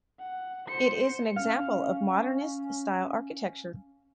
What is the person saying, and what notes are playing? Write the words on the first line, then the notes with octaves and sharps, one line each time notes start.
It is an example of modernist style architecture.
F#5
C5 C#7
C#4 F5